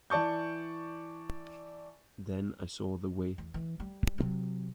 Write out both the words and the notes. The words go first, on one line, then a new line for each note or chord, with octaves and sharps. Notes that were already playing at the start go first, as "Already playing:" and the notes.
Then I saw the way.
E3 D5 A5 C#6 G6
E2
E3
G3
C3 F#3